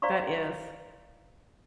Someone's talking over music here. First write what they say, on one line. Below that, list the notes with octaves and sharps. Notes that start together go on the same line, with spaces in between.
That is.
C5 D5 F5 A#5 C6 C#6